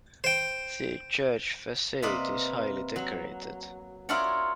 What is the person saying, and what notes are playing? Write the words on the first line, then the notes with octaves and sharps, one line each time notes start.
The church facade is highly decorated.
C5 G5
C3 A#3 B4 D5 D#5
F#3
E4 F4 A#4 C#5 D5 F#5